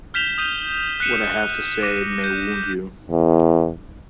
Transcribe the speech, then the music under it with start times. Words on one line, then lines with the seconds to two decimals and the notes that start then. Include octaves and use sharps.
What I have to say may wound you.
0.14 F6 G6 B6 E7 F7 G7
0.38 D#6 G6 D#7
1.00 F#6 B6 C#7 D#7 E7
1.83 D6 A#6 D#7
2.24 G6
3.10 E2